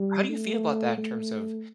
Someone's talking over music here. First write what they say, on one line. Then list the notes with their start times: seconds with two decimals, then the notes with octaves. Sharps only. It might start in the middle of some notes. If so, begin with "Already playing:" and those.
how do you feel about that in terms of
Already playing: G3
0.29 A3
0.97 A3